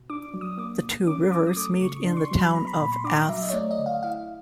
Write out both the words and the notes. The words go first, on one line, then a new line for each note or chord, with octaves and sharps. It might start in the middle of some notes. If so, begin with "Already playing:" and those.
The two rivers meet in the town of Ath.
Already playing: B2
D4 D6
F#3
D#6
A#3 D6
B2
C#4 D6
F#3 D6
D#6
A3 D6
C#3 C#6
D4 C6
C#6
C6
F#3
B5
B3 A#5
B5
A#2 B5
C6
D4 D6
A#5
F#3 E5
D#5
C#5
A3 D5
D#5
D3
F5
E4 F5